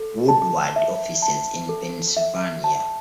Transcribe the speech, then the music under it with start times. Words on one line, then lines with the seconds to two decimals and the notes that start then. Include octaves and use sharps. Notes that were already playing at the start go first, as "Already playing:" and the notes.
Woodward offices in Pennsylvania.
Already playing: A4
0.29 A5
0.76 E5
1.22 A5
1.69 A4
2.17 E5
2.64 A5